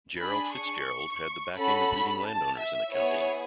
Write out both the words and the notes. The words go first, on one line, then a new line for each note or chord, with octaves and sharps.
Gerald Fitzgerald had the backing of leading landowners in the county.
D4 G#4 B5
C#6
C#4 F#4 A4 B5
A5
E5
B3 E4 G#4 C#5